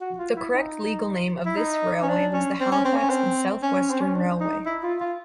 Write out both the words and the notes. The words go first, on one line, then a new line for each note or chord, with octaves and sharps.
The correct legal name of this railway was the Halifax and South Western Railway.
F#4
F4
E4
D#4
E4
D#4
C#4
D4
C#4
C4
C#4
C4
C#4
C4
C#4
C4
C#4
D4
D#4
E4
F4
F4